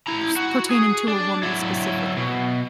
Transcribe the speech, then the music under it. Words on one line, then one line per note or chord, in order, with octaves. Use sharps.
s pertaining to a woman, specifically,
E4 A#5
F#4
G#4
D4
F#3 E4
B2